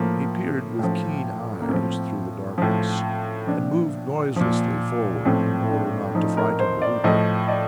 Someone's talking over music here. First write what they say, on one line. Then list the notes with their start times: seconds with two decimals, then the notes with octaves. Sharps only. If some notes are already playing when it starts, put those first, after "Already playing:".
He peered with keen eyes through the darkness and moved noiselessly forward, in order not to frighten the weeper.
Already playing: A2 F3 A#3
0.79 A2 F3
1.62 A#3
1.68 A2 F3 C4
2.58 A2 F3
3.47 A#2 F3 D4
4.36 A#2 F3
5.25 A2 F3 C4
5.70 D4
6.15 A2 F3 D#4
6.37 A#4
6.59 C5
6.82 D5
7.04 A2 F3 D#5
7.48 D5